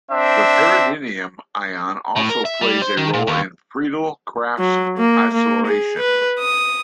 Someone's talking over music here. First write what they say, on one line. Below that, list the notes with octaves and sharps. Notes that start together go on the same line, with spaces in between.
The pyridinium ion also plays a role in Friedel-Crafts acylation.
C4 D4 E5
A2
A#4
E5
G3
C5
D#3
A#2
D#2
F#3
A#3
A#3
G#4
B4
D#6